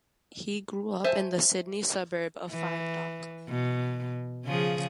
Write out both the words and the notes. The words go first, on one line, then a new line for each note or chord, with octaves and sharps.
He grew up in the Sydney suburb of Five Dock.
C5 E5 G#5 A5
E3
B2
C#3 F3 G#4